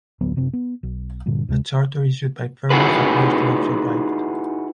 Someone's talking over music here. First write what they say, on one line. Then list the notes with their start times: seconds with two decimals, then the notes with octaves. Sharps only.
A charter issued by Fergus appears to have survived.
0.21 A1 D2 F#3 B3
0.36 F#1 C3 C4
0.53 B3
0.83 B1
1.26 G2 A#2 D3
1.49 D2 C3 G#3
2.70 D#4 E4 F#4 G#4 B4